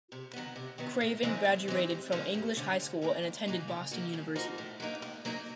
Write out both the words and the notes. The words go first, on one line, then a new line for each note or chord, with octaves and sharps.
Craven graduated from English High School and attended Boston University.
C3
D#3 F#3 B3
C3
D#3 F#3 B3
A2
E3 G#3 C4 D#4
A2
E3 G#3 C4 D#4
G2
D3 F3 A3 C#4
G2
D3 F3 A3 C#4
D2
C#3 F#3 A#3 D#4
D2
C#3 F#3 A#3 D#4
C#3
F3 A#3 D#4 F#4
C#3
F3 A#3 D#4 F#4
A2
F#3 A#3 D#4
A2
F#3 A#3 D#4